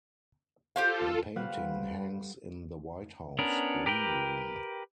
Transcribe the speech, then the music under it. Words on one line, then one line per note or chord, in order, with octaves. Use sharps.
The painting hangs in the White House Green Room.
F4 G4 A4 C5 F5
G3 A3 B4 C5 F5 F#5
B3 C#4 D4 A#4
G4 A#4 B4 G5